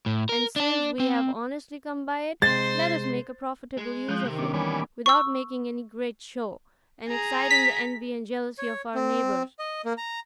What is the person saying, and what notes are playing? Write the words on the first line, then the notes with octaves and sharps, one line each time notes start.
And since we have honestly come by it, let us make a profitable use of it, without making any great show, and exciting the envy and jealousy of our neighbors.
A2
A#4
D4 A5
C4
C3 G#3 C5 C6 A6
G#3
F3 G#3 F#6 G6
C3 D#3
B3 C#4 D4 D6
A#2 E3 G3 C#5 D5 G#5 B5 D6
C#6 E6
G#4 A#5
B6
C#5
C4
D#5
A#3
A#5